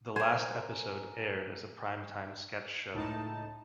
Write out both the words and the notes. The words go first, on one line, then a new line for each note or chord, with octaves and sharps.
The last episode aired as a primetime sketch show.
A#4 C5 G#5
C#2 A2 D#4 A5